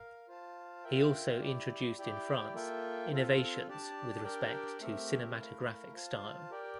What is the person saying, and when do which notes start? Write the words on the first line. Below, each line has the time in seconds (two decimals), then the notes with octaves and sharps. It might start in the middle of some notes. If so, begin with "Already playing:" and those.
He also introduced in France innovations with respect to cinematographic style.
Already playing: A#4 F5
0.28 F4 C5 F5 A5
0.84 F4 A#4 E5 G5
1.41 E4 G4 D5
1.97 E4 G4 D5 G5
2.53 A#3 F4 A4 E5 G5
3.10 C4 F4 A4
3.67 D4 G4 D5 A5
4.24 D4 G4 A#4 D5 G5
4.80 A3 C4 G4 A#4 E5
5.37 A3 E4 A#4 F5
5.94 F4 C5 F5 A5
6.50 G4 A#4 D5 G5